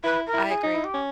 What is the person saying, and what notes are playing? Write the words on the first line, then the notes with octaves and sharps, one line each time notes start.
I agree.
E4 B4
A#4
E4
G#4
D#4
E4
G4
C#4